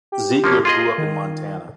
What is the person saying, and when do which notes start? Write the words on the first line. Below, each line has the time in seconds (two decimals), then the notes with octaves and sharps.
Ziegler grew up in Montana.
0.12 G4
0.44 F3 A#3 C#4
0.65 F4 G#4 D#5 C6
0.98 D#3